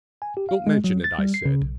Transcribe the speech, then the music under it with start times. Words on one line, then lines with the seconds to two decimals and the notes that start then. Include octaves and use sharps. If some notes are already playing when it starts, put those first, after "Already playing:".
"Don't mention it," I said.
0.22 G#5
0.37 G4
0.49 F5
0.67 G#3
0.84 F#3
1.04 A6
1.19 G3
1.34 C7
1.45 C#3
1.61 B1